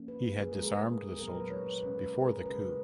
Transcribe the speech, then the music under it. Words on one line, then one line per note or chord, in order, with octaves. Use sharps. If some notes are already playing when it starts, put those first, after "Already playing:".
He had disarmed the soldiers before the coup.
Already playing: F3 A#3 C#4
B4
B4
G#4
F3 G#3 B3 A#4
G#4
A#2 F#3 B3 A#4
B4
C#5
B4
B2 G#3 C#4 B4
A#4
A#4
G#4
A#4
C#3 G#3 C#4 B4
B4